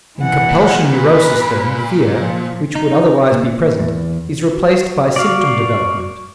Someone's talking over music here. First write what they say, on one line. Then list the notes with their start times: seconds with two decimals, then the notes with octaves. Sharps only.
In compulsion neurosis then, fear, which would otherwise be present, is replaced by symptom development.
0.18 E3 F#5
0.49 A#2
0.90 B4
2.17 F3
2.75 D#4
3.32 A#2
3.79 E2
4.53 F#4
5.16 D5 F5 C#6